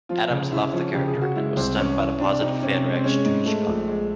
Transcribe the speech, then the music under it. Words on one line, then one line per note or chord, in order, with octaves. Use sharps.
Adams loved the character, and was stunned by the positive fan reaction to Ishka.
F3 F4
C#3
C#3 E4
F3 C#4
C#3 G4
G#4
C#3
F#4
G#3 E4
C2 C4
E3 C#4
E3
C3 D4
C3 D#4
C3 C#4
G#3
C4
G#3 C#4
G#2
G#3 A3
A#1
G#3